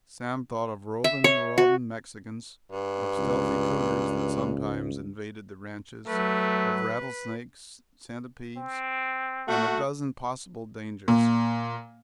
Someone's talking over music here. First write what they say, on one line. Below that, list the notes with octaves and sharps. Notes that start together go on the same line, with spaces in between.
Sam thought of roving, marauding Mexicans, of stealthy cougars that sometimes invaded the ranches, of rattlesnakes, centipedes, and a dozen possible dangers.
E5
C#5
F#4
G2
C#2
F#3 A3 B4
C4
A3 F#4
A#2